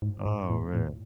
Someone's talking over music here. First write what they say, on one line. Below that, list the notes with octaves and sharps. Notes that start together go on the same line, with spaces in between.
Oh, man.
G#2
G#2
A2
A2